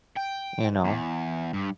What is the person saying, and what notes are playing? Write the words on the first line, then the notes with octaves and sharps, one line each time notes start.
You know?
G5
E2
G2